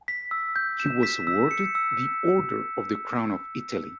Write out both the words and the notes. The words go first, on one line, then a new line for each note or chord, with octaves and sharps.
He was awarded the Order of the Crown of Italy.
B6
E6
G6
E7
B6
E6
C#7
E6